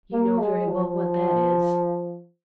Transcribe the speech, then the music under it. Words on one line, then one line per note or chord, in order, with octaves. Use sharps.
You know very well what that is.
A#3
G#3
F3